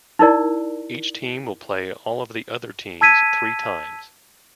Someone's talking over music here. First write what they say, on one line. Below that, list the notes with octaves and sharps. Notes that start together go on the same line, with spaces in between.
Each team will play all of the other teams three times.
D#4 E4 A#4 D5
A5 E6 G#6 B6 D#7